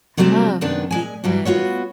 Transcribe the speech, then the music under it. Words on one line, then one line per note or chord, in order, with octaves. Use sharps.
tough because
C3 F#3 G3 A3 C4
F#2 C3 D#3 B3 D4
A#2 G#3 G#5
G2 F#3 G3
B3 F4 F#4 C#5